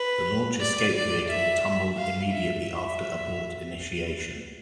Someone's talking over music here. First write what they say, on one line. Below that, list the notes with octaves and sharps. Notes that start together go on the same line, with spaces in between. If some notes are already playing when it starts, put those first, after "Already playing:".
The launch escape vehicle tumbled immediately after abort initiation.
Already playing: B4
D5
D5
E5
F5
E5
E5